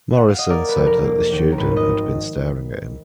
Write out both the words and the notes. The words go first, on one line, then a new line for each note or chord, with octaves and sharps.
Morrison said that the student had been staring at him.
F#5
F5
D#5
A#3 A#4 D5
B4
F1
A#4
A#3
D#2
A#4
G#1 B4
B4 D#5